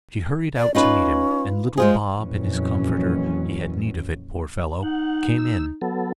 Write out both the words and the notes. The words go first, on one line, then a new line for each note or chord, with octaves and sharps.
She hurried out to meet him; and little Bob in his comforter --he had need of it, poor fellow--came in.
D5
C#4 D#4 F4 B4
G#3 F4 G#4 C5
F2 A#2 E3 F#3 C#4
D#4 F#5
E6
F#3 B3 A4